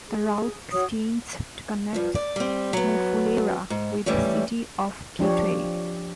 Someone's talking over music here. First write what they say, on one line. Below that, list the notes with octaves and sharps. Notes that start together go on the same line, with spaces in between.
The route extends to connect Mufulira with the city of Kitwe.
G#4
F#4 C#5 D#6
G2 F3
D5
G3 C4
F#3 B3
G#2
E3 G3 A3 C#4
F3 D4 G4 C#5